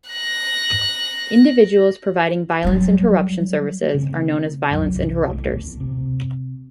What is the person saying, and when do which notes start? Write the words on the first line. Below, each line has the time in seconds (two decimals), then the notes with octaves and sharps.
Individuals providing violence interruption services are known as violence interrupters.
0.10 F#6 A#6
2.64 F#3 G3
3.94 C#3 A3 C4
4.70 G1 C2 F#2 F#3
4.95 B1 C3
5.30 B1 A3
5.51 D1 A#1 B2
5.80 C3